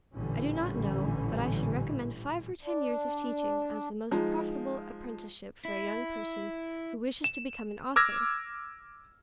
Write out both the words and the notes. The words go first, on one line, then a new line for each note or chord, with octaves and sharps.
I do not know but I should recommend five or ten years of teaching as the most profitable apprenticeship for a young person who wished to become an author.
A1 A#2 D3 E3 G3 C#4
D4
F3 G#3 D#4
E4
E7
D6 E6 F6 G#6 A#6